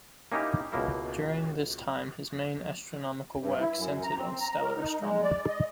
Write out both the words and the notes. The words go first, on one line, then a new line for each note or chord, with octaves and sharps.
During this time his main astronomical work centered on stellar astronomy.
A#3 C#4 D#4 E4 G4
C#2 B2 A#3 E4
G2
E4
F#2
A#5
C4
A#5
A#4
D#4
G#3
D5
D#5